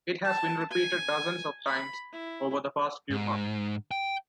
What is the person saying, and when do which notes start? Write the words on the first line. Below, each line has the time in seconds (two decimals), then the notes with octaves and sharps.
It has been repeated dozens of times over the past few months.
0.25 A5
0.71 G#5
1.67 B5
2.13 E4
3.10 G#2
3.91 G5